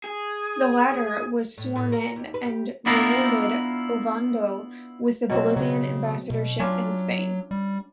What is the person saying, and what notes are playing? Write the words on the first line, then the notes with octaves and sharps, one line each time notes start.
The latter was sworn in and rewarded Ovando with the Bolivian ambassadorship in Spain.
G#4
A2
A2
A#4
D#2
B4
G4
B3 D4 E4 F4 A#4
B2 F#3 C4
C#3 F#3
B2
F#3 C#4 D4 F4
G3